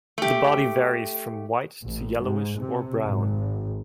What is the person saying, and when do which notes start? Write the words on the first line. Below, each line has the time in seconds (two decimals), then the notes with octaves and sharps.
The body varies from white to yellowish or brown.
0.18 A3 G4
1.83 A1
2.21 G#2
2.58 C3
3.05 G#1